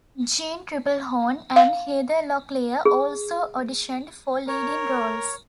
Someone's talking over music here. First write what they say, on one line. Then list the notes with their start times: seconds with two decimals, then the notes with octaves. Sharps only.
Jeanne Tripplehorn and Heather Locklear also auditioned for leading roles.
1.56 F5
2.85 G#4
4.48 A#4 C#5